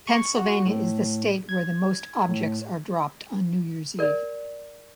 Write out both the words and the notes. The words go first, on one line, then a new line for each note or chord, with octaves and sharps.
Pennsylvania is the state where the most objects are dropped on New Year's Eve.
C#6
F#4
A2
G#6
A2
A#4 D5